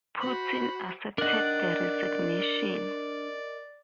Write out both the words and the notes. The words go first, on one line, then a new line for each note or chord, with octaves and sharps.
Putin accepted the resignation.
F#4 C5 B5
D4 A#4 D5 D#5 F#5